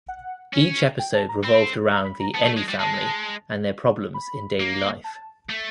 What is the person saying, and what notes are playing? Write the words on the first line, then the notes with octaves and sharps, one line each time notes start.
Each episode revolved around the Anyfamily and their problems in daily life.
F#5
C#4
G5
A5
A#5
C4 B5
A#5
B5
A#5
B3 A5
A3
G#3
G3
G#3 A5
B5
A#3
A5
A3